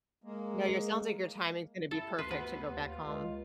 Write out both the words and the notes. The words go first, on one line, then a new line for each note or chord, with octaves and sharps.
no your sounds like your timing's gonna be perfect to go back home.
G#3 A#3
E4 A4
D2 B4 C6
B3 B4
D#2
F4
C#2